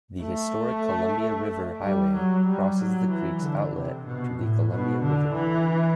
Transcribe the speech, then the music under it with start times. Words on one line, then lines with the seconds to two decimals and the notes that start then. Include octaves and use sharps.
The Historic Columbia River Highway crosses the creek's outlet to the Columbia River.
0.22 A3
1.81 G3
2.14 F#3
2.46 G3
2.78 F#3
3.10 E3
3.41 D3
3.74 C3
4.06 B2
4.38 A2
4.70 B2
5.02 D3
5.34 E3